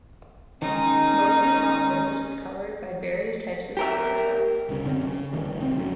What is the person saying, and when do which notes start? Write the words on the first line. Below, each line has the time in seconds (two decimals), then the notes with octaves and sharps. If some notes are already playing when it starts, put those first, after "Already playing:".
Most of the top surface was covered by various types of solar cells.
0.62 D#3 G#3 C#4 D#4
3.77 G4 A#4 E5
4.69 C2 C#3
4.85 F#2 D3 C4 C#4
5.06 C#3
5.33 D2 G2 D#3
5.59 F#1 C2 D#3 C4
5.78 F#2 F#3 A3 C#4